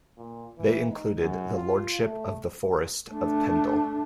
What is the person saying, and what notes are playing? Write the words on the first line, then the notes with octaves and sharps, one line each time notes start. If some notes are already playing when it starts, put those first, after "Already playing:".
They included the Lordship of the Forest of Pendle.
A#2
E3
D#4
F#2
F4
A3
A3 D4